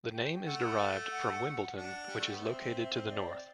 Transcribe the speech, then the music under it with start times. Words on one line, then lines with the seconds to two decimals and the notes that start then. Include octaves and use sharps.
The name is derived from Wimbledon, which is located to the North.
0.12 G5
0.45 A3 F#5
1.11 F#5
1.76 D4 F#5
2.08 G3
2.19 A3
2.32 B3
2.43 C4 E5
3.09 E5
3.12 D5